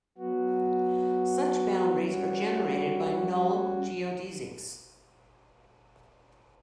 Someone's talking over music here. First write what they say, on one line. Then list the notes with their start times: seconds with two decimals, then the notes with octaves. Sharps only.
Such boundaries are generated by null geodesics.
0.18 F#3 B3 F#4
2.00 G3 C#4 F#4